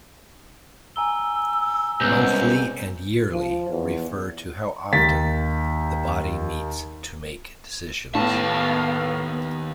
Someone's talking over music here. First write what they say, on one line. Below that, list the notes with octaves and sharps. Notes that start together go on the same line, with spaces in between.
"Monthly" and "Yearly" refer to how often the body meets to make decisions.
G#5 A#5 E6 G7
C2 C#3 G#3 B3 G6
F3
E2
D#2 A6 B6
D#2 A2 B3 F5 A5